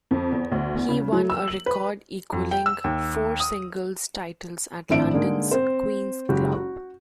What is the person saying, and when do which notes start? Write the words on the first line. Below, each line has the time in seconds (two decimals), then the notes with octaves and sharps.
He won a record-equalling four singles titles at London's Queen's Club.
0.11 F2
0.32 E2
0.52 D2
0.76 E2
0.89 C#3
1.12 F#3
1.30 E6
1.48 F#7
1.66 B4
2.33 F2
2.51 G5
2.66 E6
2.84 D#2
3.40 D#6
4.89 G#1 A2 C4 D4 E5 D7
5.14 D3 G#3 A#3 D#4 G#4
5.51 C4 C5
6.29 F#1 G#3 F#4 G4
6.55 F#4